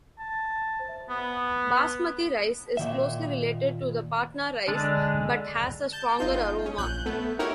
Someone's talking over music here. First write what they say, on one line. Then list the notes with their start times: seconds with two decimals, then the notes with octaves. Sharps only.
Basmati rice is closely related to the Patna rice but has a stronger aroma.
0.19 A5
1.10 B3
2.77 A#2 D#3 E5
4.68 D3 G#3 D4
5.92 A5 G6
6.18 G1 D#4 F4 G6
6.65 C#4
6.78 A#1 F#6 G6
7.06 A3 B3
7.39 D#4 E4 F#4 G4 A#4 C#5